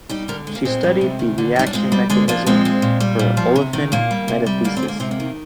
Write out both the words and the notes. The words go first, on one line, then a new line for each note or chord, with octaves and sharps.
She studied the reaction mechanism for olefin metathesis.
G3 D#4 G4
D3 G4 A#4
G#3
A#3
A#2 G#3 C4
G3
C3
D#3
D3
G3 D#4
D4
A#2 G#3 C4
G3
D3 G#3 C4
F3 A#3 D4
A#2 G#3 C4
G#3
A#2
G3
A#2
F3
C3
D#3
A#2 A#3
G3
C3
G3
D3 A#3
C4
G#3
A#3
C3 C4
A#3
D#3